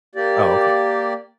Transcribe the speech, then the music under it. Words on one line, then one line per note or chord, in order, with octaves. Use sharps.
Oh, okay.
A#3 G4 D5